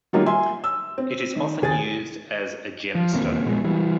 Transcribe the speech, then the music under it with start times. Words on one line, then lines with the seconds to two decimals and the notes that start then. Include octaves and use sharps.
It is often used as a gemstone.
0.13 D#3 F#3 G3 A#3 D#4 F4
0.26 E5 G#5 C6
0.64 E6
0.98 C4
1.36 D#3
1.62 D#2 G#4 G#5 A6
2.95 F3
3.13 E1 D#2 A#3 C4
3.45 A#1 B2 G#3
3.64 E3 G3